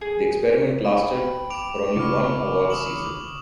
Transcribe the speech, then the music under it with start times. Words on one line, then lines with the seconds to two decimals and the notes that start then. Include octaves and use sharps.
The experiment lasted for only one awards season.
0.01 G#4
0.85 G5 B5 D7
1.50 D6 D7 F7
1.97 C#3 B5 C#6 D6 F6
2.70 D#6 E7 F#7